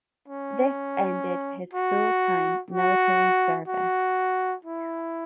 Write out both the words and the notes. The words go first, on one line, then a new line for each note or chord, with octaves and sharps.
This ended his full-time military service.
C#4
F#4
F#4
F#4
E4